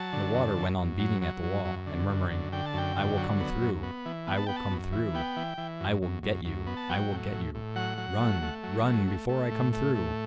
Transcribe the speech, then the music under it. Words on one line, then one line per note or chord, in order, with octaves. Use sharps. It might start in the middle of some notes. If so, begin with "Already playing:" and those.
And the water went on beating at the wall, and murmuring, "I will come through, I will come through, I will get you, I will get you, run--run--before I come through!"
Already playing: F#3 A5
D3
F#2
F#2
F#2
F#3
F#3
F#2
F#2
D3
F#2
D3
D3 G5
A5
F#2 G5
D3
F#3
B3
F#2
B3
E3
B3
A5
B3 G5
A5
F#2
E3
B3 G5
E3
E3
F#2
F#2
F#2
F#2
B3
A5
F#3 G5
A2
A2
A2
F#3 F#5
F#3
A3
A3
F#3
A3
A3
A3
A2
A3
A2